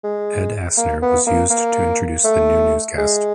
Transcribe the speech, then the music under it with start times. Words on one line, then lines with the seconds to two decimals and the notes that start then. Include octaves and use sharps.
Ed Asner was used to introduce the new newscast.
0.04 G#3
0.77 A#3
1.02 B3
1.27 A#3
1.50 A#3
2.24 A3
2.98 G#3